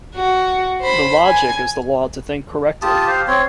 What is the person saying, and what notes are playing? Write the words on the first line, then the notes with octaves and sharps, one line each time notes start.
The logic is the law to think correctly.
F#4
C5 B5
G#5
F4 G4 A5 D#6
G4 C5 F5
C4 C#5 C6